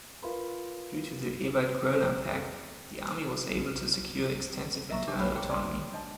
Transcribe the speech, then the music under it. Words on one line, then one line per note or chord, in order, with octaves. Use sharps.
Due to the Ebert-Groener-Pact the army was able to secure extensive internal autonomy.
F4 A#4 B4 B5 C6
G#4 A4 C5
A#4 D#5 E5 A#5 C#6
D4 D#4 G4 A#4 D6
B4 C#5 F#5 G5 B5
F#4 A4 G5 A#5 D6
D5 C6
D4 D#5 A5